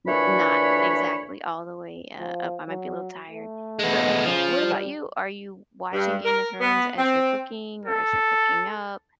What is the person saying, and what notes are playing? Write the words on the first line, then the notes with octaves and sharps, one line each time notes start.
n not exactly all the way, uh, up. I might be a little tired. But, like, what about you? Are you watching "Game of Thrones" as you're cooking or as you're picking up?
D2 A#2 E3 D4 C#5 B5
F3
F#3
A3
G#3 B3
C#3 F3
G3
G2
A#4
B3
C4
A4